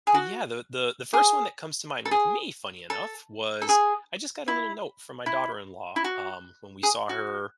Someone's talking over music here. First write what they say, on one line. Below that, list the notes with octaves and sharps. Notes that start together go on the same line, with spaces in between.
But yeah, the the the first one that comes to mind with me, funny enough, was, I just got a little note from my daughter-in-law, um, when we saw her,
G#4
F#4
G#4
A4
G#4
A4
A4
G#4
E4
E4
E4
F#4
G#4
F#4